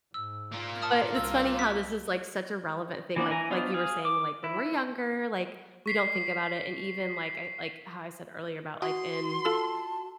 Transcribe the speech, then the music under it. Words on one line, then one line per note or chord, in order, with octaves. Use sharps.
But, it's funny how this is, like, such a relevant thing, like like, you were saying, like, when we're younger, like, we don't think about it and even, like, I like, how I said earlier about, like, in
G#2 E6
A#3 F4
F5 A5 D#6 F6
C2 E6
B6
E3 A#3 B3 D4
E3 G#5 A#5
B3 D4 D#4 F4 C5
G#4 F5
D6
E4
C#6 B6 C7
F#4 C6 D#6
F4 A4 A5 E6